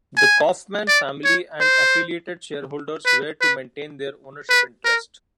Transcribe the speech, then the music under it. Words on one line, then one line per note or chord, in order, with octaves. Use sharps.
The Koffman family and affiliated shareholders were to maintain their ownership interest.
G#5
D5
C#5
C5
B4
B4
B4
A#4